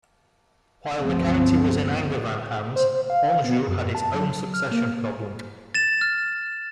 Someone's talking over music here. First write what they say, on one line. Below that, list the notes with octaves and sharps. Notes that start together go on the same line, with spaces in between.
While the county was in Angevin hands, Anjou had its own succession problem.
G1 C#2 F3 A3 B3 C4
C5
F5
B3
F#2
A5
F#3
F6
A#3
A6 E7
F6